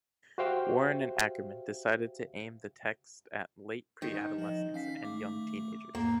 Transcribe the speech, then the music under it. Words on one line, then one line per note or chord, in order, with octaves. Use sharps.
Warren and Ackerman decided to aim the text at late pre-adolescents and young teenagers.
F#4 G4 C5 E5 F5 G5
D#3
F3 D#5
C#4 F5 B6
A3 D6
E2 G#2 A#3